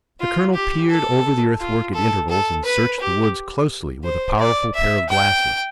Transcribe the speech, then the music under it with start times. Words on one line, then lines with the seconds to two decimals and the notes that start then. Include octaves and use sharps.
The colonel peered over the earthwork at intervals and searched the woods closely with a powerful pair of glasses.
0.20 F4
0.54 G4
0.90 A4
1.60 F4
1.94 A4
2.29 A4
2.65 B4
3.00 G4
4.04 C5
4.39 D5
4.74 E5
5.09 G5